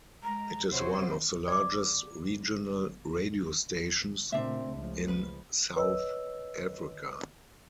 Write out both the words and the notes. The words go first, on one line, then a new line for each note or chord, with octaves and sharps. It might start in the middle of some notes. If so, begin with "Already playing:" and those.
It is one of the largest regional radio stations in South Africa.
G#3 A#5
C3 F#4 C5 C#5
D5 D6
A#2 C#3 A3 C4 D4 E5
C#2 F3
B4
B4 C#5 D#5 E6